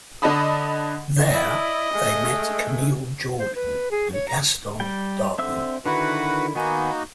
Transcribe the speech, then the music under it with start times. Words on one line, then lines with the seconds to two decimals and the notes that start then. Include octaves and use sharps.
There, they met Camille Jordan and Gaston Darboux.
0.22 D3 D#5 A5 B5 D#6
1.32 E4 D5 D#5
1.93 G#3 A3
3.39 C5
3.55 B4
3.91 G#4
4.13 C#5
4.28 A#5
4.80 G3 G5
5.38 D3 C4 E5 E6
5.86 D3 D#3 E4 F#4 B4 F#5
6.55 D#3 A#3 B3 D#4 F#4 G#5